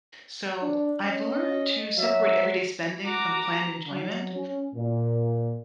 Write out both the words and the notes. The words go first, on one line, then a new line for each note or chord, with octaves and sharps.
So, I've learned to separate everyday spending from planned enjoyment.
D4
C#4 D#5
F#3 E5
F#4 A#5 D6
F#3
C#4
A#2